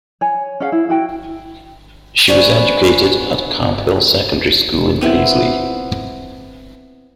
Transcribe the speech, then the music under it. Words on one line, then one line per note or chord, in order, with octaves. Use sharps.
She was educated at Camphill Secondary School in Paisley.
C#5 G#5
C#4 G#4 F5 F#5
E4
E4 F#4 G5
B3 C#4 D4 B4 C5 G#5
B3 C4 E4